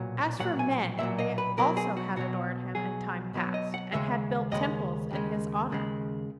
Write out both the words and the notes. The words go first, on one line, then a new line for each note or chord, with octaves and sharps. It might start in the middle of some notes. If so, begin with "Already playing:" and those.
As for men, they also had adored him in time past, and had built temples in his honor.
Already playing: B1 A#2 F#3
B1 A#2 F#3 F#5
G#5
B1 A#2 F#3 E5
D#5
B4
B1 B2 F#3 A#4
G#4
F#4
B1 B2 F#3 F#4
B1 B2 F#3 G#4
B1 B2 F#3
D#5
F#5
D#2 C#3 G#3 E5
D#2 C#3 G#3 D#5
D#2 C#3 G#3
D#2 C#3 G#3